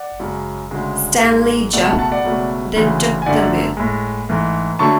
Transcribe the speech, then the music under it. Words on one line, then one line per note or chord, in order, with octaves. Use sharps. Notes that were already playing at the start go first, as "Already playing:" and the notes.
Stanley Jupp then took the mill.
Already playing: D5 F#5
F#2 C#3 G#3
D2 C#3 G#3
G#2 G#3
C#2 B2 A3 D5 F#5
F#5 A5
F#5 A5
D5 F#5
C#2 B2 F#3 A3
D2 C#3 E3 A3
G#5
F#2 D3 A3 D5 F#5
A2 G#3
G#2 E3 A3
D3 F#3 A3 A5 C#6